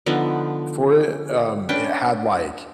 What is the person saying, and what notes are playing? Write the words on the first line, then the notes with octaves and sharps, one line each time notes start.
for it, um, it had, like
D3 F3 B3 D#4
C#4 D4 B4 G5